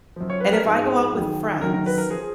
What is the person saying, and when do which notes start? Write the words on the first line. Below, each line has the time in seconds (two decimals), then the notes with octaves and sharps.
and if I go out with friends,
0.16 F#2 F3
0.30 C#5
0.40 B4
0.53 A#4
0.65 G#2 F3 G#4
1.13 F2 D#3 F#3
1.61 F#2 D#3 F#3 A#4
1.74 A#4
1.86 B4
1.98 A#4
2.10 F3 G#4